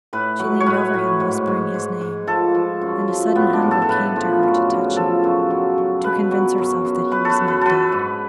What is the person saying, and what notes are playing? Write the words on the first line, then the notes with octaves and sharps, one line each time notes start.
She leaned over him whispering his name, and a sudden hunger came to her to touch him, to convince herself that he was not dead.
A2 B4
F#3
C#5
A2 B4
A2
G#2
G#2
G#2
G#2
F3 A4
F3
F#2
F3
A2 B3
D4
A2
A4
A4
A2 B4
F3
F#2
C#3
F3 A4
F#2
F#3
F#3
B2 B4
F#3
F#2
F#2
F#2 B4
A4 B4
F#2
B4
F#3 A4 B4
G#2